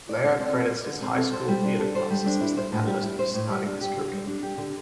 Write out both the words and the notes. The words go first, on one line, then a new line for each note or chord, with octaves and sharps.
Lehre credits his high school theatre classes as the catalyst for starting his career.
D5
D3
C4
A4
D5
D3
C4
A4
C5
G3
D4
A4
C5
G3
D4
E4
C5
A2
G3
E4
C5
A2
G3
D4
G4
D3
G3
D4
G4
D3